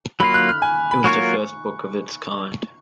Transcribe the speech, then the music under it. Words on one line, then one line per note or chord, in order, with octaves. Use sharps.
It was the first book of its kind.
F#3 A#3 F4 B5
F#6
F6
G#5
B5
F#3 A#3 F4 A#4 C#5 C#6